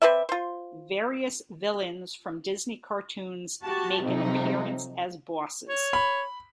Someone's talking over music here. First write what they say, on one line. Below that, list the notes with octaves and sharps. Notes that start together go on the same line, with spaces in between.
Various villains from Disney cartoons make an appearance as bosses.
C4 B4 D5 E5
F4 C5
F#4 G4 A5
F2 C3 F#3 D#4
C#5
B5